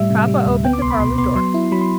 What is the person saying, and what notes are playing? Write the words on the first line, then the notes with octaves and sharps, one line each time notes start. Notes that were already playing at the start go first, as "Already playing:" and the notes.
Papa opened the parlor door.
Already playing: A2 G3 E5
C3
G3
D2
B3 G5
D6
C2 C6
B5
B2 C6
B3 C6
F#3 C6
E4
F#3 B5
C6